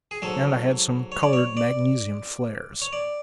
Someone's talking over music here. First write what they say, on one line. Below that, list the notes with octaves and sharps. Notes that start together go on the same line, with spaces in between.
And I had some colored magnesium flares.
G#4
G#2 F#3 A4
C#5
D5
C#5
D5
C#5
D5